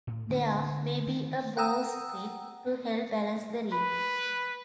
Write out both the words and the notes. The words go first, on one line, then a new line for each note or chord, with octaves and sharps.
There may be a bowsprit to help balance the rig.
A2
D3 B3
D#3
F#5 G5 A#5 D#6 E6
B4 B5